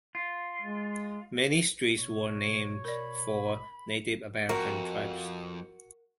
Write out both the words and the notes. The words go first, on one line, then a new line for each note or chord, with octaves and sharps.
Many streets were named for Native American tribes.
F4
G#3
B2 C#5
A#4 D5 B5
F2 F#4 A#4